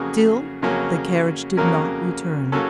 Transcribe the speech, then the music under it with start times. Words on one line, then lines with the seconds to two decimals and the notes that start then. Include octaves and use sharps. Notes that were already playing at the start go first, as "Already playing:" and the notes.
Still, the carriage did not return.
Already playing: F2 C#3 F#3 A#3 C#4 G#4
0.62 F2 C#3 F#3 A#3 C#4
1.57 F2 C#3 F#3 A#3 C#4 A#4
2.52 C#3 F#3 A#3 C#4 A4